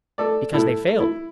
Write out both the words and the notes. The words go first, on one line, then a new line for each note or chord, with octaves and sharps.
"Because they failed."
A3 A4 D5
A2 E4 A4
A3
E4